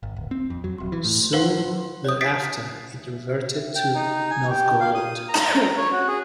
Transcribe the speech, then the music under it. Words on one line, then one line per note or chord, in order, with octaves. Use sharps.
Soon thereafter, it reverted to Novgorod.
G#1
D1
C4
F2
F#3
D#1
E3
A2
B4 C5 F5 F#5
C#5 D#6
D#6 A6 B6 C7 D7
G5
D#4
G#5
G4
F5
D#6
A#5
C#5
F#4
G#4